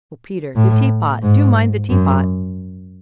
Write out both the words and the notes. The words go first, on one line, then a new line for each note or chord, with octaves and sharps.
"Oh, Peter--the teapot--do mind the teapot!"
A2
G#2
F#2